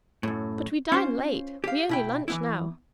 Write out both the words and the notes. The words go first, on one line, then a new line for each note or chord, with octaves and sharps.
But we dine late, we only lunch now.
F#2 A2
C#4 F4 C5
G4 F5
B2 E4 G5
E3 B3 E4